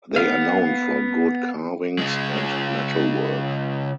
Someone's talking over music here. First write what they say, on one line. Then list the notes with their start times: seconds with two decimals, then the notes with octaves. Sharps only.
They are known for good carvings and metalwork.
0.16 B3 F5
1.98 C#3 G#3